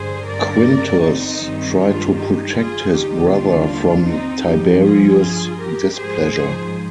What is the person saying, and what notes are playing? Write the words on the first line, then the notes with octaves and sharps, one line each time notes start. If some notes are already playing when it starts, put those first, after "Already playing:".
Quintus tried to protect his brother from Tiberius' displeasure.
Already playing: G2 D3 G3 G#4 C5
A#4 D5
C4 D#4
G2 D#3 G3
D4 F4
D#4 G4
F4 G#4
D#2 D3 G3 D#4 G4
D4 F4
C4 D#4
G2 F3 D#4 G4
F4 G#4
G4 A#4
G#2 F3 G#4 C5